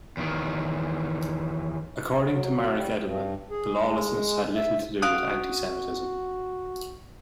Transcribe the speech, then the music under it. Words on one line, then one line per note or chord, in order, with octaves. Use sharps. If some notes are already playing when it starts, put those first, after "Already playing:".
According to Marek Edelman the lawlessness had little to do with antisemitism.
E2 D#3
F#3
G3
G2
G#4
G#3
E5
C#4 F4 F#4 F5 D#6 F#6 D7